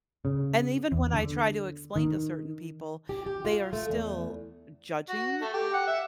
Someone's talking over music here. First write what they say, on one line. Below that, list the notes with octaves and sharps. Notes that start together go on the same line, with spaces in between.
And even when I try to explain to certain people, they are still judging
C#3
E2
D3
D#3
G4
G4
F4
A3
E2
F#4
A3
G4
F#5
E5